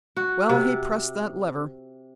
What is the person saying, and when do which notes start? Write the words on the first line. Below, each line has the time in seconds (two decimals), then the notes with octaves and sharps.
Well, he pressed that lever.
0.17 F#4
0.49 C3